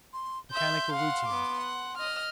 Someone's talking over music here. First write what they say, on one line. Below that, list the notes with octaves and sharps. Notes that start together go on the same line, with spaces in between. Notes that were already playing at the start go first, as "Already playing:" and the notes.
Mechanical routine.
C6
E5 C6 G6
F5 F#5
B3 D6
F#5
D#5 F6